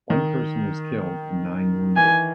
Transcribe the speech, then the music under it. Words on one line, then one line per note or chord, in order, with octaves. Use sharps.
One person was killed and nine wounded.
D#3
E3 G#5